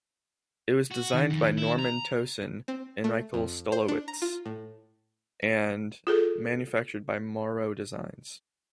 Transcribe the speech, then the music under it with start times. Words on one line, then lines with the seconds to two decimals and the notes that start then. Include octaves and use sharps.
It was designed by Norman Towson and Micheal Stolowitz, and manufactured by Morrow Designs.
0.91 F#4
1.13 D#3
1.30 F2
1.58 E4
1.79 A#5
2.68 C4
3.04 A3
3.34 F2
3.72 C5
3.88 D4
4.08 A#5
4.22 F4
4.46 A2
6.07 F4 G#4 A4